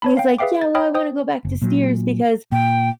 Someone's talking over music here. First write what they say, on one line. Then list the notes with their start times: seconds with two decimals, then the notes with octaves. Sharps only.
and he's like, "Yeah, well, I wanna go back to steers, because,
0.02 C#5 A5 B5
0.17 F5 G5
0.38 G#4 B4 E5 F5 G5 D6
0.61 A6
0.75 C#5 D#5 G5 B5 D#6 F6
0.95 C5 G5 D#6
1.45 F#1
1.62 A#2 F#3
2.52 A#2 G5